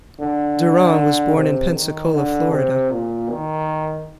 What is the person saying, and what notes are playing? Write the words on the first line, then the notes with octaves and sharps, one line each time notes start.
Durant was born in Pensacola, Florida.
D3
C3
D#3
D3
C3
A#2
D#3